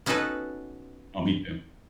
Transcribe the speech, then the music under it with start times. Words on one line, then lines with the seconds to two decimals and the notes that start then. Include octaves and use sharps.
Oh, me too.
0.06 B3 C#4 D#4 F#4 A4 B4